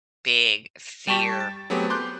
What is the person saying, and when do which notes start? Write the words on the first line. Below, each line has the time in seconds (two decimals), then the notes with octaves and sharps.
big fear
1.07 G3 G5 A5 C#6 B6 E7
1.40 A6
1.70 F#3 A3 B3 C4 G4 G#4
1.90 C6 D6 F#6 G6